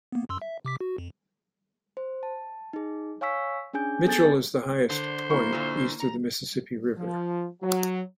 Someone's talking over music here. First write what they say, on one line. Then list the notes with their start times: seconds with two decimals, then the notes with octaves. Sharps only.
Mitchell is the highest point east of the Mississippi River.
0.12 A#3 B3
0.29 F#2 C6 E6
0.42 E5
0.65 C3 D6 B6
0.80 F#4
0.98 F2
1.97 C5
2.23 A5
2.73 D#4 G#4
3.21 C#5 F5 G#5 C#6 E6 B6
3.73 C#4 D4 G#4 G#5 G6
4.05 B3 G#4 A4 G#5 G6 A6
4.90 D3 C5
5.30 A#3 E4 C#6
5.53 A#2 D3
6.00 A#5
6.98 F3
7.63 F#3